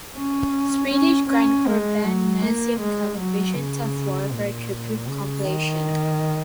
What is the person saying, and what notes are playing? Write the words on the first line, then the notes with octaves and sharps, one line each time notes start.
Swedish grindcore band Nasum covered "Visions of War" for a tribute compilation.
C#4
C#4
C#4
G#3
F#3
A#3
G#3
F#3
C#3
A#2
C#3
D#3